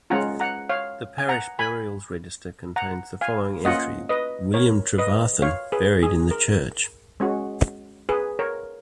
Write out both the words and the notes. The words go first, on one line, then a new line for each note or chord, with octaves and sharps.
The parish burials register contains the following entry 'William Trevarthen buried in the church.
G#3 C#4 F4 F#5 A#5
F#5 A#5
C#5 F5
G#5
F#5 A#5
G#5 B5
F#5 A#5
F5 G#5
A#3 C#4 F4 D#5 F#5
B4 D#5
A#4 C#5
B4 D#5
C#5 F5
G#4 B4
G#4
A#4
G#3 C#4 F#4
G#4 B4
A#4 C#5